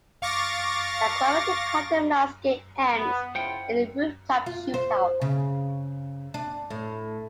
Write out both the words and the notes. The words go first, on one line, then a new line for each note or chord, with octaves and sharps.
A climactic cat-and-mouse game ends in a rooftop shootout.
F5 C#6 D6 A6 A#6
B3
C#3 E4 F4 C5 F#5 G5
F4
C5
C#3
D4
A2